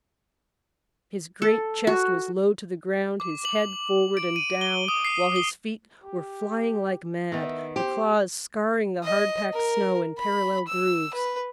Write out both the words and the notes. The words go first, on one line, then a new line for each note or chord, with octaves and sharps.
His great chest was low to the ground, his head forward and down, while his feet were flying like mad, the claws scarring the hard-packed snow in parallel grooves.
A4
F#4
D6
F#7
D7
D#7
G7
D#6
C7
G7
G4
D#3 B3 E5
G4 C5
D#5
A#4
B5
E6
B4